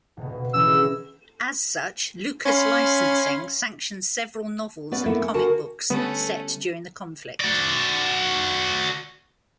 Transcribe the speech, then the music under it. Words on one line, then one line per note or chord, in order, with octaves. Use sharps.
As such, Lucas Licensing sanctioned several novels and comic books set during the conflict.
D#1 B2
B2
D3 E3 C#4 E6
F#4 G#4 D#5
C#4 F5 B5 C6
B3 C#4 B4 D5
A#3 B3 D#4 E4 A4 E5
C#4
D3 F4 F#4 A#4 G#5 A5
D3 G3 A3 B3 C#4
F#4 D5